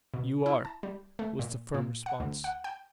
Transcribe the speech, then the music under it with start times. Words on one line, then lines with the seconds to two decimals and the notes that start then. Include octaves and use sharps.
"You are," was the firm response.
0.14 B2
0.46 E4
0.65 A5
0.83 G3
1.19 A3
1.39 A#2
1.74 A#2
2.06 F#5
2.20 D2
2.44 F#5
2.64 G5